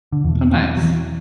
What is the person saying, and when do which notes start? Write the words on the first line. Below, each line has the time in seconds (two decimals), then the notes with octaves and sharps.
Oh nice.
0.12 D3
0.24 E2 B2 E3
0.54 E3
0.77 F#3
0.83 E3